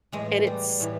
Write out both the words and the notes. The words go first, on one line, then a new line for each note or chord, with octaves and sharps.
And it's
A2 E3 G#3
G3
A2 E3